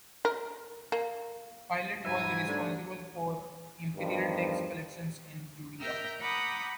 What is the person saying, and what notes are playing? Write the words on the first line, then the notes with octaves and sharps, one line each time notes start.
Pilate was responsible for imperial tax collections in Judaea.
A#4
A#3
G#2 G3 B4 E5 G#5
A3 D4
E2 G2 D#3 F3
A#4 E5 G5 A#5 F6 G6
F#5 A#5 B5 D6 D#6 G6